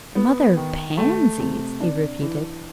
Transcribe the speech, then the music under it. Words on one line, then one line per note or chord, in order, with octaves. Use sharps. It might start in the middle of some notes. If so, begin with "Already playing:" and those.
"The Mother of Pansies!" he repeated.
B3
D#3
A3
C3
D4
E3